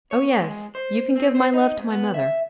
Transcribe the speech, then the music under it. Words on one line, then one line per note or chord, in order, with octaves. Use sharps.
Oh yes;--you can give my love to my mother.
C#5
G#3
C5
C4
C5
D#4
G#2
B3
E5